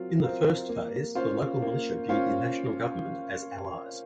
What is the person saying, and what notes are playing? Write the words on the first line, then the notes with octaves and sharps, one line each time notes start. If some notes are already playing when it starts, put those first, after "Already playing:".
In the first phase the local militia viewed the national government as allies.
Already playing: F#3 C4 F4 A#4
C4 F4 A#4
A#3
C#4 F4 C5 F5
A#3
C#4 F4 C5 F5